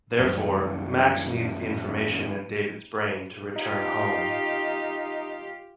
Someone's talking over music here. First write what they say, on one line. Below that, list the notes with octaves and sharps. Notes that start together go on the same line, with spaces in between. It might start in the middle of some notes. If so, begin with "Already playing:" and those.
Therefore, Max needs the information in David's brain to return home.
C2 F#2
D#4 F4 G4